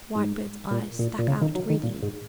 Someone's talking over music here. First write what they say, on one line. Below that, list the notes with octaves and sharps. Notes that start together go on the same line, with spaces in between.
Whitebird's eyes stuck out greedily.
G#2
A#2
A#2
A#2
C#3
D#3
F#3
D#3
A#2
G#2